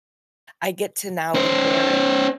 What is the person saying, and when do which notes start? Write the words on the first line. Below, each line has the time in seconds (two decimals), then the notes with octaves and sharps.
I get to now wear it.
1.35 C#4 C5